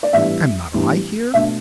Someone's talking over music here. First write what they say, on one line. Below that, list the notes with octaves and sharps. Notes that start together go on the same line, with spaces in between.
"Am not I here?"
D5
A2 E3 G3 B3 D4 E5
A2 E3 G3 B3 D4
B2 A3 D4 E5